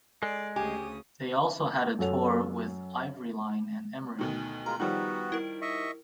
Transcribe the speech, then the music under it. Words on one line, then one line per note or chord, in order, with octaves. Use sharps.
They also had a tour with Ivoryline and Emery.
G#3 A4 D5
D2 C#3 G4 G#5 D#6
F#2 A4 C#5 F#5 F7
D2 B2 D#3
G#3 F4 A#4 A#5
D#3 F3 G3 B3 F#4
E4 A#4
D#5 E5 C#6